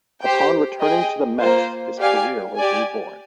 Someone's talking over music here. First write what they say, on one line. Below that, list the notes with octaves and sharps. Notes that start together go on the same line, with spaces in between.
Upon returning to the Mets, his career was reborn.
G4 C5 G5
G#4 D#5 G5
A#3 F4 C5
G4 D5 F5 G#5
G4 D5 G#5